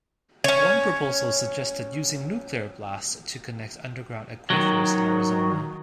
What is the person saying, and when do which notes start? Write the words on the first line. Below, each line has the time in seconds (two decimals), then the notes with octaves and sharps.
One proposal suggested using nuclear blasts to connect underground aquifers in Arizona.
0.44 C#4 C#5
4.50 D#3 F#3